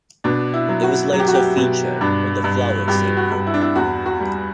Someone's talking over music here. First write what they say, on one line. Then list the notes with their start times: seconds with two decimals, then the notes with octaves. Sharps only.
It was later featured on the "Flower" single.
0.24 B2 D4
0.54 E4
0.69 F#3
0.83 F#4
1.13 F#3
1.19 G4
1.28 F#4
1.35 G4
1.57 B2
2.01 G2 D4
2.44 G2
2.88 G2 G4
3.17 F#4
3.32 G2
3.47 E4
3.54 D4
3.61 E4
3.76 E2 F#4
4.06 F#4
4.20 G3